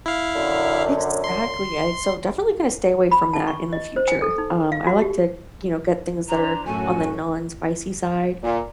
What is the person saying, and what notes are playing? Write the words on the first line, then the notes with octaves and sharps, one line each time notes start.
Exactly, I so definitely gonna stay away from that in the future. Um, I like to, you know, get things that are on the non-spicy side,
E4 F5
F#2 D3
C6
B5
A5
C#6
D#5
C5
G#5
A4
D#4
F5
F#4
G4
D4 C5 A#5
F#2 A2 A3 F#4 A4 G#5
A#2